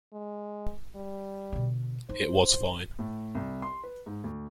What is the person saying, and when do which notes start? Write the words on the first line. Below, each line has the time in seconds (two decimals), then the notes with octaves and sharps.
It was fine.
0.12 G#3
0.95 G3
1.53 B2 D3
2.09 D#4 C5
2.99 A2
3.35 C2
3.62 C6
3.84 B4
4.06 G#2
4.24 D2